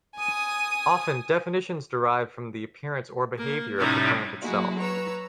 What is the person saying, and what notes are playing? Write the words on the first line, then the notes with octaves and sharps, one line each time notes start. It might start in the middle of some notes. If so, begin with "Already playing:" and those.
Often, definitions derive from the appearance or behavior of the plant itself.
G#5 D#6
A#3
A2 C3 G3 C#4 D#4
F#3 G#3 A#3 E4 F#4
B4 C#5 A#5 E6